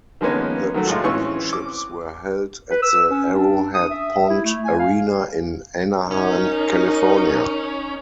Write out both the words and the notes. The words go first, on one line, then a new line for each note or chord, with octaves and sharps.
The Championships were held at the Arrowhead Pond arena in Anaheim, California.
D#3 F3 G#3 A#3 B3 C#4
D#3 F#3 A3
A2 G#3 F4
E3 C4 C#4 C#6
D6
B4
E6
C#4
D4
D#6
E5
E4
A3
G#5
F5
C#4 D#4 A#4